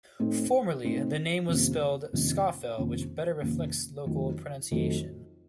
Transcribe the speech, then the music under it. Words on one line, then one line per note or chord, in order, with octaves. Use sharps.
Formerly the name was spelled "Scawfell", which better reflects local pronunciation.
A2 A3 C4 D#4
A2 A3 C4 D#4
F2 C3 D#3 A#3 C#4
F2 C3 D#3 A#3 C#4
F2 C3 D#3 A#3 C#4
F2 C3 D#3 A#3 C#4
F2 D#3 F#3 A3
F2 D#3 F#3 A3